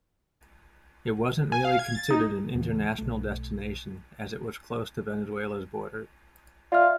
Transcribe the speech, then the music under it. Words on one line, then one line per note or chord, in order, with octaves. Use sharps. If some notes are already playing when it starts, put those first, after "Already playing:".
It wasn't really considered an international destination as it was close to Venezuela's border.
G#5
F5
G#6
A6
D#4
D#2 C#3 E3
B1 A3
F4 D5 E5 F6